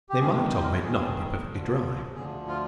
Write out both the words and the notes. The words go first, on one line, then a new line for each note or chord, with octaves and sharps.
They might or might not be perfectly dry.
G4
G2 D#3 G#4
C5
A#4
G2 D#3 G#4
D2 D3 F3
D2 D3 F3 G#4
F4